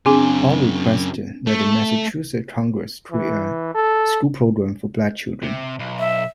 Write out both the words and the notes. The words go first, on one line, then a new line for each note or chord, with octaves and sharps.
Hall requested that the Massachusetts Congress create a school program for black children.
F#2 C#3 C4 D4 G#4
A3
E3
A4
C3
B1
E5